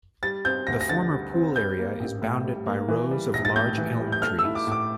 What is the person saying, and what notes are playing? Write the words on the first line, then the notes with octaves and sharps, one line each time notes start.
The former pool area is bounded by rows of large elm trees.
G3 A6
C4 G6
D2 A#6
A#6
D3 A6
G3
C4
G3 G6
A#3
A1
A2
G3
A#3
E3
G3
A#1 A#6
A6
A2 G6
E3
G3
G6
A3 F6
E6
E4
D6
A2 D6